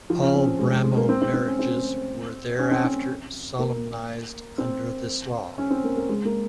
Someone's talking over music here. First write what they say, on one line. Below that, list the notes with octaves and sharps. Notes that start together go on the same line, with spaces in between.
All Brahmo marriages were thereafter solemnised under this law.
F3
C#4
C4
C4
G#3
G#3
G#3
A#3
C4
C4
C4
C#4
C4
C#4
C4
C4
A#3
C4
C#4
C4
A#3
A#3
G#3
A#3